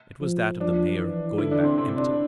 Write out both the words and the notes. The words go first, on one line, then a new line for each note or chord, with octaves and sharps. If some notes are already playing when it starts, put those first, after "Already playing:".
It was that of the mayor, going back empty.
F3
F3 D4
E3
D3 E4
D4
C4
C3 C4
D4